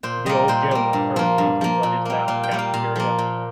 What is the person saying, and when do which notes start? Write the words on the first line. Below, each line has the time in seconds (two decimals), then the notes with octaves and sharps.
The old gym was turned into what is now the cafeteria.
0.03 A#2 C5
0.26 G3 A#3 D#5
0.48 A#2 C5
0.71 G3 A#3
0.93 G2
1.16 F3 A#3
1.38 G2
1.61 F3 A#3
1.83 A#2
2.05 G3 A#3
2.28 A#2 F5
2.43 G5
2.51 G3 A#3
2.59 F5
2.74 A#2 F5
2.96 F3 A#3
3.18 A#2